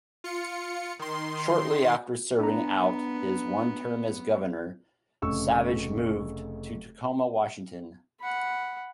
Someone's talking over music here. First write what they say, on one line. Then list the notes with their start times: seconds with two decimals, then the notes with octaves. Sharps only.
Shortly after serving out his one term as governor, Savage moved to Tacoma, Washington.
0.24 F4 C#7
0.99 D#3 C6
2.39 B3 D4 A#5
5.22 F1 C#3 C#6 E6
8.20 F#5 B5